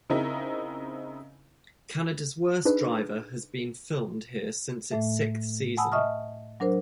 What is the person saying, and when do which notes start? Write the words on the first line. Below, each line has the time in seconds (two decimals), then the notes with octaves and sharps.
Canada's Worst Driver has been filmed here since its sixth season.
0.10 C#3 C4 D#4 E4 A#4
2.65 D4 D#4 G#4 B4
4.91 A2 A3 E5
5.77 F#5 G#5 A5 B5 D#6 E6
5.92 D#5 E5 A5 C#6 D#6 F6
6.60 F#3 D4 A#4 C5